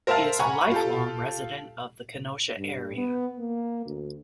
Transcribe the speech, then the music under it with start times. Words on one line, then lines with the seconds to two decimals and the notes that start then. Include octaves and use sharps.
He is a lifelong resident of the Kenosha area.
0.07 A#4 C5 E5 F5 A5 F6
0.39 F#5 G#5 A#5 B5 C#6
0.71 F4 G4 A4
2.58 G2
2.97 B3
3.39 A#3
3.86 D2